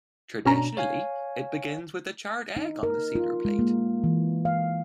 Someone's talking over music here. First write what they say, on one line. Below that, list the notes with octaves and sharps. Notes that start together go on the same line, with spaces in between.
Traditionally it begins with the charred egg on the Seder plate.
G1 B2 C#4 D4 A#5
C#5 F5 G#5
D#4
A#4
F4
G#3
A#3
E3
F5